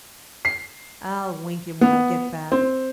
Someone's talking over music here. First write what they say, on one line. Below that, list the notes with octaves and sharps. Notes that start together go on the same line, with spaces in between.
I'll wink him when I get back.
C7
B3
C4